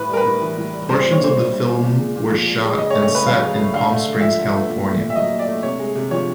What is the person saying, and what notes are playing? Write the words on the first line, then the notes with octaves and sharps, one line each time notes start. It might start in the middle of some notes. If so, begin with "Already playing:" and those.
Portions of the film were shot and set in Palm Springs, California.
Already playing: A2 B4
G3 A#4
B4
A2
E3
A2
G3
G3 C5
C5
A#2
C#5
A#2 C5
G3
G3
A#2
A#2
G#3
A#2
F3
A#2
G#3
C#3 D#5
C#5
A3
C#5
C#3 B4
F#3 F5
C#3
A3
D3 F5
A3
D3
F3 E5
D3
A3
A#2
A3
A#2
E5
F#3 D#5
A#2
D5
A3
C3 C#5
G#3
C3
F3 C#5